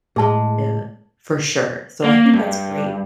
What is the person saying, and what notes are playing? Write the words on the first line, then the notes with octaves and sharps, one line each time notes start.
yeah, for sure. So, I think that's great,
A2 G#3 G#4 A5
A#3
G2